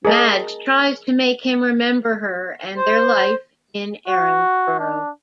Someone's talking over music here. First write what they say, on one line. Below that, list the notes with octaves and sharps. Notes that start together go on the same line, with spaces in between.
Madge tries to make him remember her and their life in Erinsborough.
G#4 A#4 D#5 A5
C5
F#4
D4